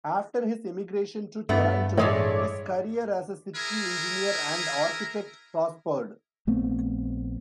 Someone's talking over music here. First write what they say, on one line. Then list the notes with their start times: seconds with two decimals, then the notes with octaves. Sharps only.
After his emigration to Toronto, his career as a city engineer and architect prospered.
1.49 G2 A3 B3
1.97 A2 E3 G#3 A3 C#5 D5
3.55 E4 G#4 A#4
6.47 A#1 A3 B3 C4